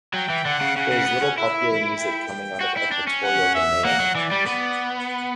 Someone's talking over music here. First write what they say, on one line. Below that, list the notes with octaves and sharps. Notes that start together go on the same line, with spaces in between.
There is little popular music coming out of Equatorial Guinea.
F#3 G5
E3
D3 F#5
C#3
C#3 F#5
C#3
B3
C#4
E4 E5
G5
F#4
E4
D4
C#4
F#5
E5
A#3 F#5
F#3
E3 D5
G3
B3